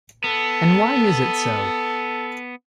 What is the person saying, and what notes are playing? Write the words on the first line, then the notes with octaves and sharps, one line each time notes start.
And why is it so?
B3 A4